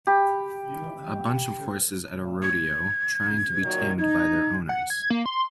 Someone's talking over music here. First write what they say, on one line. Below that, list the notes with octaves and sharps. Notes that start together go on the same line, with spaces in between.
A bunch of horses at a rodeo, trying to be tamed by their owners.
G4 B5
G#6
A#2 D#3 F#3
D#4 G#6
F#5
G#6
A#3
C6